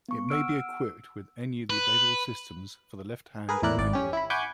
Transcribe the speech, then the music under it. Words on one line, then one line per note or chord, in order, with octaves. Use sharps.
It may be equipped with any of the available systems for the left-hand manual.
B3 C#6
F#5 E6 F6 D7
B4
G#4 A#4 B4
E2 A2 E4 A#4 D5 F#6
G#1 D5
C#4 G4
E4 B5
F#5 G#5 B5 C#6 D6 G6